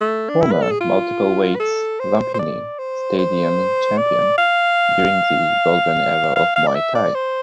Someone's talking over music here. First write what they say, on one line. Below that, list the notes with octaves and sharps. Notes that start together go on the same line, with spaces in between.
Former multiple weights Lumpinee Stadium champion during the golden era of muay thai.
A3
D4
E4
B4
A4
G#4
F4
B4
A4
C5
C5
D5
C5
C5
D5
F5
F5
F5
D5
E5
D5
C5